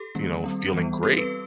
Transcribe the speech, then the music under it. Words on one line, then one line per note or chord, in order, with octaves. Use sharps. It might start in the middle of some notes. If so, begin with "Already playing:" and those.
you know, feeling great
Already playing: G4 A4
D#3 G3 A#3 C#4
G3 C4
E3 G3 B3
G3 C4 G4 A4
A4 B4